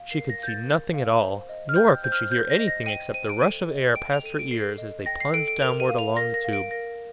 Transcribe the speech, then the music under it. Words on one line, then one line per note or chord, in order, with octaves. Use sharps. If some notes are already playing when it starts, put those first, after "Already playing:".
She could see nothing at all, nor could she hear anything except the rush of air past her ears as they plunged downward along the Tube.
Already playing: F5
A#4 C7
A#6
F5 G6
A6
A#4
F5
C5
D#5
F6
G5 G6
C5 G6
F6
C5 G6
A#6
D#5
A#6
G5 D#7
C5 D#7
D7
A4 D#7
D#5
G5 D7
F7
A4 D#7
D7
A4 C7
D#5
G5 A#6
C7
A4 D7
D7
A#4 F7
D#7
F5
F7
A#4 A#6
A#6
F5
D7
A#4 A#6